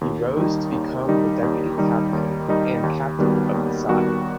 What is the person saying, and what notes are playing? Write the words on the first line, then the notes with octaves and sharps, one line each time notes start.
He rose to become the deputy captain and captain of the side.
D#2
D#3 G3 D#4
D#2
D#3 G3 D#4
D#2
D#3 G3 D#4
D#2
D#3 G3 D#4
D#2
D#3 G3 B3 F#4
D#2
D#3 G3 B3 F#4